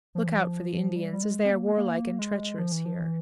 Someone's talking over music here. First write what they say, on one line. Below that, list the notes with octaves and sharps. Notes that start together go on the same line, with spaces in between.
Look out for the Indians, as they are warlike and treacherous here.
F3
E3
F3
G3
G3
G#3
C4
A#3
G#3
A#3
G#3
F3
E3
F3
E3